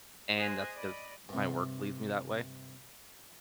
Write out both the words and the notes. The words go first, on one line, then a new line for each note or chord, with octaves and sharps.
and that's because my work leaves me that way.
G#4 C5 D#5 G#5 D#6 F#6
D5 D#5 B5
G2 C3